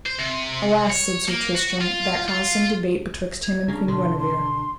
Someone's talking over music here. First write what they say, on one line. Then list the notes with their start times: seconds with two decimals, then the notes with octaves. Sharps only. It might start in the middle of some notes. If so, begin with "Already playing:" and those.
Alas, said Sir Tristram, that caused some debate betwixt him and Queen Guenever.
0.06 C5
0.19 C3
0.90 C#5
1.29 A#3
1.55 F#4
1.81 F4
2.28 F4
3.43 G#6
3.68 C#3 C#4 D4 A#5
3.88 B2 D3 D4 C6
4.18 C6